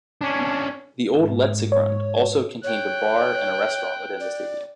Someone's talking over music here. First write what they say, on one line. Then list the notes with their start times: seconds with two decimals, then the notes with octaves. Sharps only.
The old Letzigrund also contained a bar and a restaurant within the stadium.
0.21 C#4 D4
1.14 G#2
1.72 C#5
2.64 C#5 G5 F#6
4.20 D5